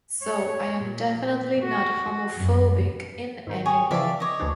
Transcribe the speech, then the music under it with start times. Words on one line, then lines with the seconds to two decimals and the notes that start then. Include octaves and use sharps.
So I am definitely not homophobic in any way.
0.22 C#5
0.78 A#2
1.59 F#4
2.37 F#2
3.47 G#2 D#3
3.66 G#4 C#5 G5 D#6
3.91 C#3 F3 D5 E5 F5
4.20 C#5 D#5 D6
4.40 D2 E3 D4